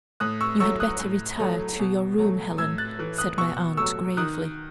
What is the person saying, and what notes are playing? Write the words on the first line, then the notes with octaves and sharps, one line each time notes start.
'You had better retire to your room, Helen,' said my aunt, gravely.
A2 D#6 F#6
C#6 E6
F#3 A3 C#6 E6
D#6 F#6
A2
F#3 A3
B2
F#3 A3
A2 E6 G#6
F#6 A6
E3 A3
D#6 F#6
B2 C#6 E6
F#3 A3 C#6 E6
D#3 D#6 F#6